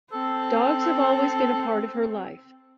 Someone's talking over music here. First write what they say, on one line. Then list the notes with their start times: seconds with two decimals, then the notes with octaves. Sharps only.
Dogs have always been a part of her life.
0.12 C4 A4